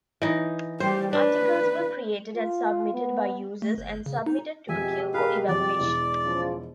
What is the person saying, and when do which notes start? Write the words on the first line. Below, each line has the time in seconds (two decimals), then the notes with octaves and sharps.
Articles were created and submitted by users and submitted to a queue for evaluation.
0.22 E3 D#4
0.80 G3 G4 C5
1.13 D4 B4
2.35 F4
2.94 B3
3.62 A3
3.78 G1
4.06 C#3
4.26 D#4
4.69 F2 B2 G#3 G4 E5 G#5
5.14 G#4 A#4 B4 F5
5.48 F2 D5
5.80 E1
6.24 C#3 F3